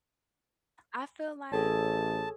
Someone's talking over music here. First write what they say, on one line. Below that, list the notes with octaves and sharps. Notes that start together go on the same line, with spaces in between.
I feel like
A1 G#4 A4 C#5 A5